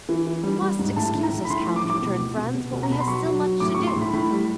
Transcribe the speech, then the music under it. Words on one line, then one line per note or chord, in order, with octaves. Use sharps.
"You must excuse us, count," returned Franz, "but we have still much to do."
E3
E3
G3
G3
G#2
A2 A5
A2
A#5
A2
B5
A2 C6
F3
D6
A2
D6
B2
B2
B2
B2
B2
A#5
B2 B5
C6
F#3 C#6
F#3
F#3
A2 D6
C#6
A2
C6
A2
B5
A2 B5
G3